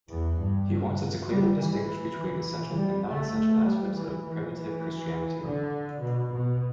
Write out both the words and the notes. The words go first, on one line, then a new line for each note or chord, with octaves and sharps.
He wanted to clearly distinguish between essential and non-essential aspects of primitive Christianity.
E2
G2
G3
E3
G3
A3
G3
E3
E3
E3
D3
B2
B2